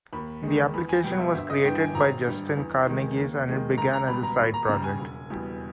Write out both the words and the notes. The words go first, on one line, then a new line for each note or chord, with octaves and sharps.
The application was created by Justin Karneges and it began as a side project.
D#2 B5
D#3 G#3
E2 B5
G#5
B2 G3 G5
E5
G1 E5
D#5
G2 E3 G5
G#5
G#1 A#5
G2 G3
E2
D#3 G#3
D#2
D#3 G#3
C#2 A#5
A#5
B2 G3 B5
A#5
D#2 B5
A#5
C#3 G3 A#5
G#5
E1
E2 B2 G3